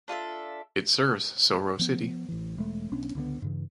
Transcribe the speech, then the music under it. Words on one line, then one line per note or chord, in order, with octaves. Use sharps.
It serves Soro city.
D4 F4 A4 E5
F3 B3
A1 E3
E1 G#3 A3
B1 B3 C#4 D4
C#2 D3 B3
G2 C#3 E3